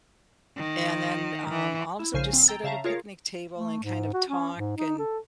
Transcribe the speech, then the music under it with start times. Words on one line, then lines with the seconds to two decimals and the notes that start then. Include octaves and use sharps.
and then, um, also just sit at a picnic table and kind of talk and
0.57 D#3
1.50 E3
1.99 E4
2.13 A#1 C#3 C5 G#5 F6 C7
2.33 C4
2.48 G5 A#5 E6 G6 A6
2.64 C#3 E5 F5 A5 A#5
2.84 F4 G#4 A#4 C#5 F5
3.57 A3
3.83 G#2
4.14 F#4
4.29 C#4
4.58 G#2
4.78 D#4
4.99 A4